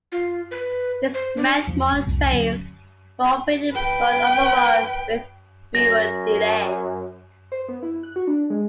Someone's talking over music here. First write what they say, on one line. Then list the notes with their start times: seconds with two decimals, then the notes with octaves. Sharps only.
This meant more trains were operated but overall with fewer delays.
0.12 F4
0.51 B4
1.14 C5
1.36 D4
1.67 E2 F3
1.92 G#1
2.06 C2 F2 A2
2.30 D2 F#3 C#4
3.72 B4 G5
5.75 F#2 A#6
7.52 C5
7.68 B3
7.83 E4
8.03 F#6
8.16 F#4
8.27 D4
8.50 G#3